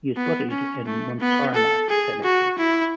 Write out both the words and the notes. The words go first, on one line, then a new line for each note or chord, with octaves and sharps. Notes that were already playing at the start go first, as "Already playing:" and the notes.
He is buried in Montparnasse Cemetery.
B3
C#4
A3
B3
A4
G#4
F#4
E4